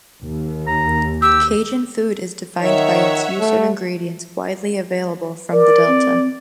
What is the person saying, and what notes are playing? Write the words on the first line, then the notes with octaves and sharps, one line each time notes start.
Cajun food is defined by its use of ingredients widely available from the delta.
D#2
A#5
G4 E6
D#3 C#5 E5 F#5
A3
A#4 D5
C4